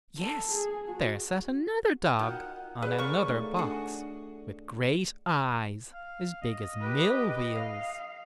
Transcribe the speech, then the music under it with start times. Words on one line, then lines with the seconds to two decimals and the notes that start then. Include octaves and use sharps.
Yes! there sat another dog on another box, with great eyes, as big as mill-wheels.
0.19 A4
0.51 G#4
0.88 F#4
2.19 D#3 F4 F#4 F#5
2.82 G#4 B4 D5
2.98 A#3 C#5 C#6
3.27 A3 D#4
3.57 D4 F#4 G#4
5.94 F5
6.42 D#5
6.80 G4 B4
7.52 F5